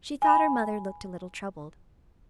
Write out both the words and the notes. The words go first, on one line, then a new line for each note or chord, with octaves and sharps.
She thought her mother looked a little troubled.
G#5 B5